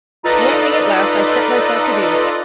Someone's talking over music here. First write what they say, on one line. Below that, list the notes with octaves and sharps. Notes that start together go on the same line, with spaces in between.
One thing at last I set myself to do.
D#4 F4 A4 B4 D5 D#5